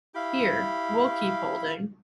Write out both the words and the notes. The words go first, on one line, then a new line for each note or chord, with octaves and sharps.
Here, we’ll keep holding.
E4 G4 F5 B5